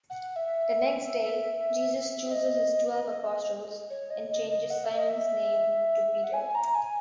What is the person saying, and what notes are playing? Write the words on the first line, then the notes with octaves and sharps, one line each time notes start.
The next day, Jesus chooses his twelve apostles and changes Simon's name to Peter.
F#5
E5
E5
D#5
C#5
D#5
D#5
D#5
F#5
E5
D#5
E5
F#5
G#5
A#5
G#5